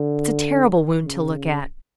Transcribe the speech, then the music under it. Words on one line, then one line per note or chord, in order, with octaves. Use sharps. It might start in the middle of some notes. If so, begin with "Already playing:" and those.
"It's a terrible wound to look at."
Already playing: D3
C#3